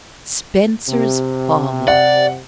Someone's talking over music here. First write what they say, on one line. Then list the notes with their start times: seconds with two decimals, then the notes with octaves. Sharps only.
Spencer's Folly!
0.89 C3
1.88 D5 F#5